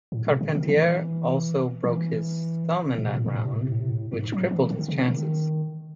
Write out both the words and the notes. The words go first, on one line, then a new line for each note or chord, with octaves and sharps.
Carpentier also broke his thumb in that round, which crippled his chances.
A2
C3
C#3
D#3
E3
E3
A2
C3
A2
C3
A2
C3
A2
C3
A2
C3
A2
G#2
F#3
E3
D#3
C#3
D#3